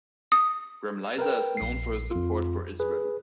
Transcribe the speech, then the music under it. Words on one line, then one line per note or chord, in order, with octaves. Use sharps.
Gremliza is known for his support for Israel.
D#6
A#4 B4 G5
A#1 C7
F2 F4
G#4 B4